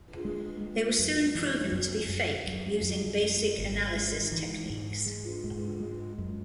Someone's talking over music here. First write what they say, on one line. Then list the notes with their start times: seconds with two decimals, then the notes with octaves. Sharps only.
They were soon proven to be fake using basic analysis techniques.
0.25 G#3
0.61 G#3
0.99 F#2
1.35 E3
1.72 F#2
2.09 F#2
2.47 F#2
2.83 F#2
3.21 G#3
3.58 G#1
3.96 G#3
4.32 E3
4.70 G#2
5.06 G#3
5.44 G#2
5.80 G#3
6.18 F#2